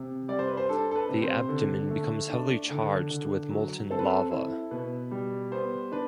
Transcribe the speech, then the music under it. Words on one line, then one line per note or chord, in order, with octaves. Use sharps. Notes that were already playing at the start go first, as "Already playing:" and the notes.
The abdomen becomes heavily charged with molten lava.
Already playing: C3
G3 D5
C5
B4
C5
D4 A4
A4
B4
C3
C5
D3
A3
D4
D3
D3
F#3
C4 A4
B4
A4
E4
B2 B4
G3
B3 C5
D4 B4